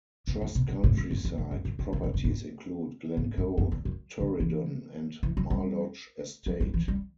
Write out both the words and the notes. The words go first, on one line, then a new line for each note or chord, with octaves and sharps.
Trust countryside properties include Glen Coe, Torridon and Mar Lodge Estate.
E2
F#2
B2
B2
A2
G2
F#2
E2
F#2
F#2
F#2
E2
E2
F#2
G2
A2
A2
G2
F#2
E2
F#2
D3
E3
E3
F#3
G3
F#3
G3
E3
G3